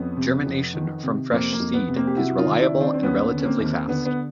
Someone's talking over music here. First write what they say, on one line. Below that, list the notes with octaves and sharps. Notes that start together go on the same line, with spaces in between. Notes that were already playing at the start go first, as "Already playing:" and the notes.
Germination from fresh seed is reliable and relatively fast.
Already playing: F2 B3 C#4
C3
F2
D#3
C3
F2 A#3 C4
A#3
F2
B3
C3
A#3 C4
G4
C3 E4 F#4
D#4 F4
D#3
D4 E4
D#3
C4 D4
C4
D#2 B3 C#4
D3
C#4
A#3 C4
D#2
D3 B3
B3